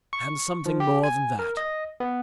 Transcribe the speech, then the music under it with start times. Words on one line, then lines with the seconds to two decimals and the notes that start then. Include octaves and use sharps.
And something more than that.
0.13 C#6
0.66 F3
0.80 G4
1.04 G#5
1.39 A#4
1.57 D#5
2.00 B3